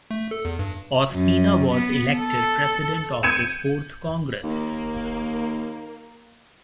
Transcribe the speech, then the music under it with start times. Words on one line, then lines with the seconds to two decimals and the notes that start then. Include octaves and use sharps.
Ospina was elected President of this Fourth Congress.
0.11 A3
0.31 A4
0.45 E2
0.59 G2
1.12 F#2
1.74 B3
2.17 A4
3.23 G6 G#6 C#7 D#7 E7
4.43 D#2 A#3